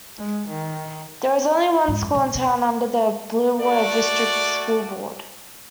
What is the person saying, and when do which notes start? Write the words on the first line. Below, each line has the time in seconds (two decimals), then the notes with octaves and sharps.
There is only one school in town under the Bluewater District School Board.
0.18 G#3
0.48 D#3
1.88 G#2
2.02 F#2
2.15 B2
2.35 B2
3.62 A3 F#4 D5